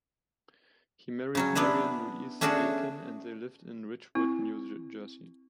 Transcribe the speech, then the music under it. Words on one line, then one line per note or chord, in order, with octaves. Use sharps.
He married Marion Louise Aiken and they lived in Ridgewood, New Jersey.
C#3 F#3 C#4
B3 D4 E4 B4
A3 C#4 D4 F#4 G#4 A4
C4 E4